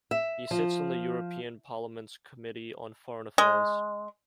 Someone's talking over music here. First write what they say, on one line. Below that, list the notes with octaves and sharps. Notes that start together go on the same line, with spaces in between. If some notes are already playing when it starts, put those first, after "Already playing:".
He sits on the European Parliament's Committee on Foreign Affairs.
E5
F3
G#3